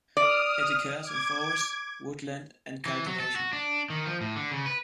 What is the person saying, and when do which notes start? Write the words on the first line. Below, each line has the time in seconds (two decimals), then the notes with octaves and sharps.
It occurs in forest, woodland and cultivation.
0.17 D5 D#6 F6
1.03 D6 G#6
2.86 E3
3.07 F#3
3.20 A4
3.36 F#4
3.53 D4
3.90 D#3
4.06 F3
4.21 A2
4.36 D3
4.51 C#3
4.66 B4